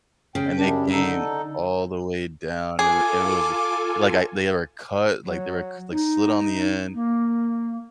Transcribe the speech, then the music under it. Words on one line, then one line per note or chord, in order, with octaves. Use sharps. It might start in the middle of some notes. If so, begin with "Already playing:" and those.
and they came all the way down, and it was ri like, I they were cut, like, they were c like, slid on the end,
C#3 G5
F#2 G3 D4
D3 D#4 A4
F4 G#4 A4 G#5 D6
F#3
D#4
A#3